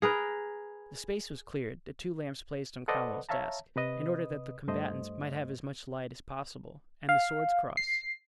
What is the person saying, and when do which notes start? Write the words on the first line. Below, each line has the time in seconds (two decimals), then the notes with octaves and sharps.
The space was cleared, the two lamps placed on Cromwell's desk, in order that the combatants might have as much light as possible; and the swords crossed.
0.02 G#4 A#4 B4
2.88 A4 B4 C5 D5 D#5 F#5
3.29 C#5 E5 F5 A5 A#5
3.76 C3 B4 D#5 D#6
4.68 G2 A3 C5 D#5
7.09 F5
7.77 C7